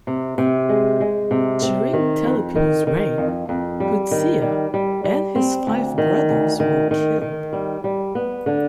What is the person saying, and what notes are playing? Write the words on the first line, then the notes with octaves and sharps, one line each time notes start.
During Telipinu's reign, Huzziya and his five brothers were killed.
C3
C3
G#3
G#3
C3
C4
D#3
F2
D#3
D#3
F2
F2
G3
D#3
G3
G3
G3
C4
D2
D#3
D2
D#3
D#3
D#3
G3
G3
B3
D3